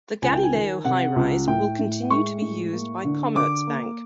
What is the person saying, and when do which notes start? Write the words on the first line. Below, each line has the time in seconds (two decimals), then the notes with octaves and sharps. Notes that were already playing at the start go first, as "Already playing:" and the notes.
The Gallileo highrise will continue to be used by Commerzbank.
0.22 C#2 G#5
0.33 G5
0.43 G#5
0.53 D#3
0.85 C3 F#5
1.16 C#2
1.47 A2 G5
1.79 A2
2.10 G#3 C#6
2.42 A2
2.73 A#3
3.05 D3
3.36 D3 D6
3.67 A#3